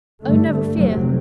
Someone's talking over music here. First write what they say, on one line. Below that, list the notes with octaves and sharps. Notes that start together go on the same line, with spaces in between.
'Oh! never fear!
G2 D3 A3
F1 A2 C3 F#3 C4